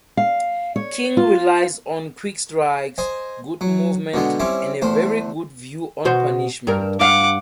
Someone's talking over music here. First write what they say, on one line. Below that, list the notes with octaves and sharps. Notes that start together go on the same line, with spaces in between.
King relies on quick strikes, good movement, and a very good view on punishment.
F5
C#5
F4
C5 D#5 G#5
F#3
B2 D3 G#3 B3
G3 C4 C#4 E4
E2 A3 C5
B2 F#4 C5
G2 A#4
G2 F5 F#5 D6